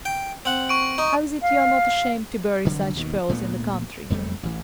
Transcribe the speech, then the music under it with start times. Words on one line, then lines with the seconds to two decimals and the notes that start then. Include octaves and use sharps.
"How is it you're not ashamed to bury such pearls in the country?"
0.05 G5
0.45 C4 F#5
0.69 C#6 D7
0.98 D#4
1.42 F5
2.65 F1 D3 F#3 G3
2.95 D#2 B2 D#3
3.29 D2 A#2 A3 B3
4.10 F#1 F2 G3 A3
4.43 A1 E3